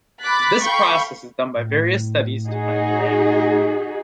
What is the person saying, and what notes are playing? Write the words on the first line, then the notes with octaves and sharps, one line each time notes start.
This process is done by various studies to find the range.
B5 D6 F#6 A6 B6
A4 F5 G5 B5 C#6 G6
A2
D#4 F#4 G#4